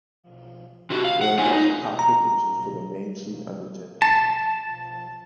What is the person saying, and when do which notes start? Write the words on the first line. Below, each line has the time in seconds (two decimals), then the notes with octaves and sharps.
There are also cockpit winches for the mainsheet and the genoa.
0.90 C3 F#4
1.04 F5
1.21 F#5
1.39 B3 D#4 F4 F#4 F5 G#5
1.53 D#4
1.99 A#5
4.02 A5